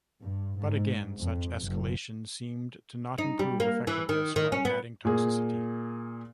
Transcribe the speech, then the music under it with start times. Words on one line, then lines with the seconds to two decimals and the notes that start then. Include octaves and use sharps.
But again, such escalation seemed to not improve effectiveness while adding toxicity.
0.21 G2
0.59 G#2
1.18 F2
1.65 F#1
3.18 D#4
3.39 G3
3.60 A#3
3.87 E3
4.09 D#3
4.36 D#3
4.52 C#4
4.65 B3
5.05 A#2 A#3 G#4